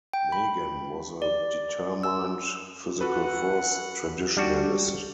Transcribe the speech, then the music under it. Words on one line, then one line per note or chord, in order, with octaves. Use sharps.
Magan was a determined physical force traditionalist.
G5
B5
D5
E6
F#4 A4 B4 F#5
G3 D4 F#4